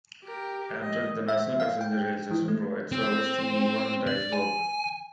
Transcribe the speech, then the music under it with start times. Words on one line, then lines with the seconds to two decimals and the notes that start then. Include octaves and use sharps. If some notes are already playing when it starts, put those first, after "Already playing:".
Amtrak, the national passenger rail system, provides service to Newbern-Dyersburg.
0.24 G4 A#4
0.82 D#5
1.28 E5
1.60 F5
1.81 G5
2.31 E3
2.48 A3
2.92 C4
4.07 D5
4.32 G#5